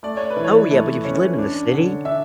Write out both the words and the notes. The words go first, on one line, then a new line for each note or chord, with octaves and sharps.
Oh, yeah, but if you live in the city,
A3 D5
C#5
B4
E3
C#5
A3
C#4
D4
D3
D4 E5